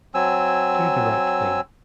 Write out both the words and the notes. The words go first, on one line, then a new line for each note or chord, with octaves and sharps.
Do the right thing.
F#3 C4 G#5 E6